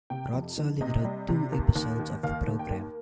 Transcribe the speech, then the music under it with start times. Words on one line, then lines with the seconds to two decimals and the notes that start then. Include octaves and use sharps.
Rod Serling wrote two episodes of the program.
0.10 C3 G5
0.33 F2
0.58 D#3
0.81 C3 D#5
1.05 G3
1.28 C3
1.52 D#2
1.76 D#2
1.99 D#3
2.23 D#2 F5
2.48 D#2
2.59 G5
2.71 A#3